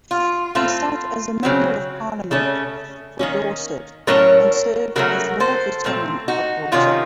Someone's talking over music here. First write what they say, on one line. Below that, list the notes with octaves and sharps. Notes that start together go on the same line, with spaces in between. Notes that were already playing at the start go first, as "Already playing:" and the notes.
He sat as Member of Parliament for Dorset and served as Lord-Lieutenant of Dorset.
F4
A2 A3 C4 F4
C#3 F#3 C4
C#3 A3 C#4
D#3 A#3 C#4
A2 F#3 A3 C#4 A#4 C#5
C#3 F#3 A3 F#4 A#4
A4 C5
A#2 A3 C4
D#4 F#4
C3 D#3 C#4 F4